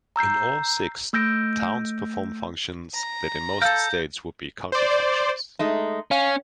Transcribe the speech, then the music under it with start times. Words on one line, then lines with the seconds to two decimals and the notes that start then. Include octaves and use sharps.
In all six, towns perform functions that in most states would be county functions.
0.16 A#5 E6 G6 C7
1.13 A3 E6 G6 A#6 D7
2.94 A#5
3.62 A4 A#4 F5 G6
4.72 C5 D5
5.59 G#3 A3 D#4
6.11 C#4 F5